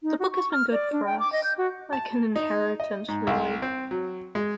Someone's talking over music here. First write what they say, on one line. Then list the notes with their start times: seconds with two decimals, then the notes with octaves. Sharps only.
The book has been good for us, like an inheritance, really.
0.03 D#4
0.19 F#4
0.31 C#6
0.52 F6
0.72 D5
0.92 D4
1.05 G5
1.19 D6
1.32 D#5
1.44 G6
1.58 F#4
1.93 A5
2.36 D#4
2.80 D#5
3.08 G#2
3.27 C2
3.62 C4
3.91 F#3
4.35 G#3